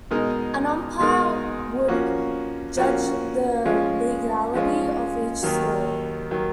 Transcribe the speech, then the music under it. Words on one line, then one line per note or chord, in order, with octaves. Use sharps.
An umpire would judge the legality of each score.
B2 G#3 D#4 A#4
B2 G#3 D#4 A#4
F3 A#3 C#4 F#4
F3 A#3 C#4 F#4
F3 G#3 C#4 F4
F3 G#3 C#4 F4
D#2 D#3 F#3
D#3 F#3